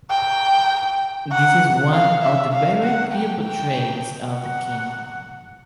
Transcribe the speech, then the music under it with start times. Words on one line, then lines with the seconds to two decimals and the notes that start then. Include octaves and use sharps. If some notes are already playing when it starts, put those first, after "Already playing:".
This is one of the very few portraits of the king.
0.10 G5
1.32 F#5
1.92 F5
2.23 E5
2.53 F5
2.84 F#5
3.14 G5
3.44 G5
4.35 F#5